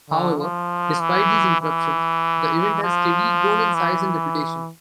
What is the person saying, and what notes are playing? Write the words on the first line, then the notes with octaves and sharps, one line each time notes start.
However, despite these interruptions, the event has steadily grown in size and reputation.
D3
F3
E3
E3
F3
E3